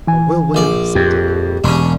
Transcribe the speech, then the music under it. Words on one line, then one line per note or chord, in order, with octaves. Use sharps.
"But we'll win!" said Dick.
E3 G#5
A#1 D5
F2 G4
E1 C#4 D4